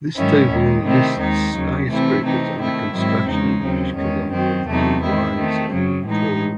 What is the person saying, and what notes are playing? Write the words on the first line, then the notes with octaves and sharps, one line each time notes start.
This table lists skyscrapers under construction in British Columbia that will rise over tall.
G#2 D#3 F#3 C#4 E4
D#2 D#3 G#3
C3 D#3 A3 C4 E4
D#2 D#3 G#3 D#4
D#2 C#3 F#3
C3 E3 A3 C4 E4
C3 E3 A3 C4 D#4
D#3 A3 C4 E4
G#2 D#3 F#3 C4 E4
E2 C#3 G#3 D#4
D#2 C#3 F#3 C4
E2 D#3 G#3 C#4
F#2 D#3 F#3 C4
E2 C3 F#3 A3 D#4
D#3 G#3 C4 E4
D#3 A3 C4
F#2 C#3 F#3
A2 E3 G#3 D#4